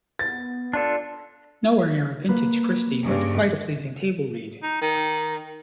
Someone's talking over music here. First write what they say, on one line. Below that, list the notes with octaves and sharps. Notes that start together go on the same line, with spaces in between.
Nowhere near a vintage Christie but quite a pleasing table-read.
B3 A6
D4 F4 A4 D5 A5
A#3 B4
G2 C#3
D#4
D#3